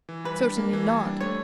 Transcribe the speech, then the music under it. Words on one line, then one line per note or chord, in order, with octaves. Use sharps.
Certainly not.
E3
G3 B4
D4
A#3
E3
G3
D4
A3 C#5